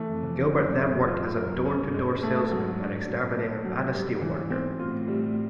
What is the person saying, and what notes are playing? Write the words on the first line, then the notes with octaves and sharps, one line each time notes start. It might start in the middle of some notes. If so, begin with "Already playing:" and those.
Gilbert then worked as a door-to-door salesman, an exterminator, and a steelworker.
Already playing: E3 A3
F2
E3
F#2 C#4
G#3
F4
F#2 A#4
C#4
G2
G#3
G#2 A3
F#3
D4
A2 F#3
A3
F#3
G#2 G3
E3
C4
A2 F4
G3